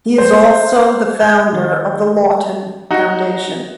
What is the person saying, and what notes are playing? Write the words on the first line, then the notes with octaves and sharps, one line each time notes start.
He is also the founder of the Lawton Foundation.
C5
G6
D#3
D#4 F#4